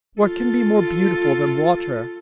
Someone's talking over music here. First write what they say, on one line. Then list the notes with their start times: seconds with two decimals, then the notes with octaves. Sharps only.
What can be more beautiful than water?
0.20 F4 A4